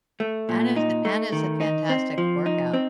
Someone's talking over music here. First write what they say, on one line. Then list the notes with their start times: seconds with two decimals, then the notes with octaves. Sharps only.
And it's and it's a fantastic workout.
0.20 A3
0.49 A#2
0.76 D#4
1.05 A3
1.32 D#3
1.61 D#4
1.89 C4
2.18 F3
2.46 D#4
2.73 C4